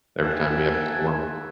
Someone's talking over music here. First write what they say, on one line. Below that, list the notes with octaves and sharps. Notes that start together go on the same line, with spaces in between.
every time we have a storm.
A#3 G4 A#4 E5 F#5 G#5 A5